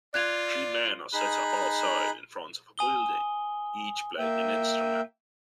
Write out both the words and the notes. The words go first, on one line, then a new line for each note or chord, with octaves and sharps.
Three men are set up outside in front of a building, each playing an instrument.
F4 D5 F#6 G#6 F7
D#4 G#4 B5 F#6
G#5 D#6 G7
A#3 E5 G5